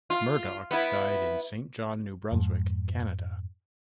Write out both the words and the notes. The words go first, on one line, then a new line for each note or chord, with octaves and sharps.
Murdoch died in Saint John, New Brunswick, Canada.
F4
B3 E4
F2 G#2